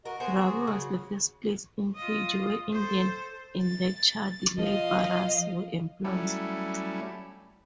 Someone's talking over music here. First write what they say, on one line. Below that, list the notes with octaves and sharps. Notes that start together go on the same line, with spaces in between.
Rabi was the first place in Fiji where Indian indentured labourers were employed.
F#4 A#4 D#5
B3 F#4 G#4 A#4 C5
C#3
F4 D#5
A4 C5
A6
F3 D#5 F5
F#3 G3 A3 C#4 E4